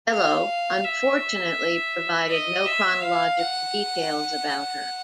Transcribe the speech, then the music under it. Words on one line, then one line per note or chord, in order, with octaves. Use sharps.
Bello, unfortunately provided no chronological details about her.
F5
E5
D#5
E5
F5
F#5